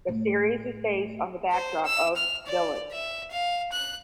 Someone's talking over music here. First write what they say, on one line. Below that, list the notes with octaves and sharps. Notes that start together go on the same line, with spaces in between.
The series is based on the backdrop of Village.
A2 A3
C5
E6
F6
D5
E5
F5
F#6